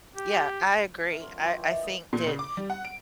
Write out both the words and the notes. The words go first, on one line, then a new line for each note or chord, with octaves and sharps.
Yeah, I agree. I I think that,
G4
C3 A#4
D3 F#3 F4 A#4
F#3 F4 B4 C#5
D#3 E3 E4 G4
E3 D5
A#3 D#5
A#2
C#3
D6
G3
F#5
D7